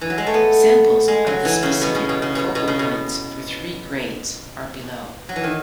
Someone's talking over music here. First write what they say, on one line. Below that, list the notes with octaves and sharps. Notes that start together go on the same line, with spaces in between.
Samples of the specific focal points for three grades are below.
E3
F#3
G#3
A3
B3
G#3
F#3
E3
C#3
B2
C#3
B2
C#3
B2
B2
C#3
B2
F#3
E3
D#3